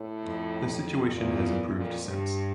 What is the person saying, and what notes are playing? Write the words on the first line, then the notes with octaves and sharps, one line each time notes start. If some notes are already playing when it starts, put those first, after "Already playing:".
The situation has improved since.
Already playing: A2
F2
E2 A#2
F2 A#2
G2